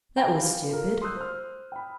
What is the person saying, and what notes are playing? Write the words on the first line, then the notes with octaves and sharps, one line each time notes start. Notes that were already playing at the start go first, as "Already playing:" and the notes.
'That was stupid.
G5 G#5 A#5 B5
G4 F5
F4 A4 A#4
C6 D#6 E6 F#6 G6
C5 F6
G5 B5